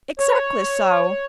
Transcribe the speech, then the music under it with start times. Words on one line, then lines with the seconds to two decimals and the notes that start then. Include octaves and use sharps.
'Exactly so.
0.19 C#5